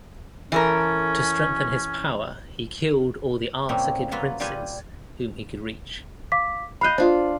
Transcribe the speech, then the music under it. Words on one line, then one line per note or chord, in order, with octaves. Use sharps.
To strengthen his power he killed all the Arsacid princes whom he could reach.
E3 C#4 A4 A#4
A2 C#3 G3 A#3 C4 C#4
F#3 A#3 F4 B4 E5
A#2 G3 F4 G4 B4 G#5
F5 D6 B6
D#5 F5 B5 F#6 G6
D4 F4 C5